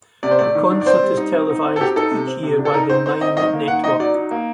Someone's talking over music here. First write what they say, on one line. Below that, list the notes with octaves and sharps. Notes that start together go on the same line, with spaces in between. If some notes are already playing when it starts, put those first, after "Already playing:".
The concert is televised each year by the Nine Network.
C3 D5
C5
A3 D5
D#3
D4
D5
C4 C5
G3
D#4
C4
D#4
C4
A4
F#3 G4
D#4 A4
C3
C4
C3
D4
A4
D#4 A#4
C4 C5
D#4 C5
C4 D#5
D#3 D#5
A#3
D#3 F#5
D#4 D#5
F#3 D5
D#4
A#3